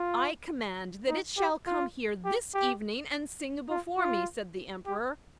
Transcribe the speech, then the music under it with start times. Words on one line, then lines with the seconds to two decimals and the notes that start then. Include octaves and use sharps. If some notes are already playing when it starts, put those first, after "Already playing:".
"I command that it shall come here this evening, and sing before me," said the Emperor.
Already playing: F4
1.09 D#4
1.38 G4
1.66 F4
2.25 G4
2.54 G4
3.70 F4
3.99 F4
4.86 G4